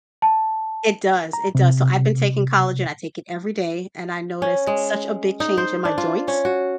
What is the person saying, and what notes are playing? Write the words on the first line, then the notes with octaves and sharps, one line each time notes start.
it does, it does, so, I've been taking collagen. I take it every day, and I noticed such a big change in my joints,
A5
A#5
C3
C#4
G#3
D#4
C5
D4
F4
C#4
F#4